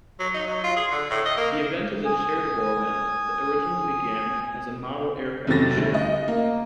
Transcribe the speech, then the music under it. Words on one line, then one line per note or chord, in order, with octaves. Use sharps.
The event is a charitable event, that originally began as a model aircraft show.
F#3
D#4
F#3
F4
G#4
D3
A2
D#5
A#3
G#5 D#6
F1 C3 F#3 A6 A#6
D2 G3 A3
D#5
A#3